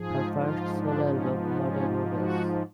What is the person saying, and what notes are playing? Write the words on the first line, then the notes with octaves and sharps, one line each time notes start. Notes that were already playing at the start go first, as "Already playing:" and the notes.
Her first solo album 'What about Us?
Already playing: G#2 F3 G#4
F4
D4
C#4
B3
C#4
F#4